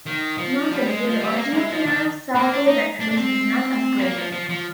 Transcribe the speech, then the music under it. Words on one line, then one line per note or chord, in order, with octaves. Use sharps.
Notably, the original pair of Sargo batteries was not upgraded.
D#3
F3
G3
G#3
F3
G3
A#3
G#3
F3
D#3
A#3
D4
D#4
D4
D4
C4
A#3
F3
F3
F3